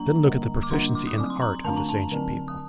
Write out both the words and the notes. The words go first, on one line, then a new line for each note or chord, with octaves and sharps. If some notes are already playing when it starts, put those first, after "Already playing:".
Then look at the proficiency in art of this ancient people.
Already playing: F#3 A#3 D4 A#5
D3 G3 A#3
D6
D3 G3 A#3 D4 C6
D6
D#6
F#3 C4 D6
C6
A#5
D3 A3 D4 A5
A#5
A5
D3 F#3 C4
D#6